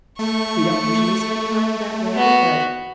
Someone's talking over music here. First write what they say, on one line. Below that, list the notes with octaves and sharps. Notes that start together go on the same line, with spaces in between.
we don't usually spend time that way, but
A3 C#6
B3 F#4